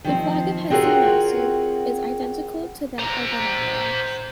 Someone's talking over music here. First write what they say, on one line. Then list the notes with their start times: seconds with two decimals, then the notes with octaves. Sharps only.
The flag of Hesse-Nassau is identical to that of the Netherlands.
0.05 D#3 F3 C4
0.70 C4 F4 F#4 G#4 A#4 C#5
2.99 C5 A#5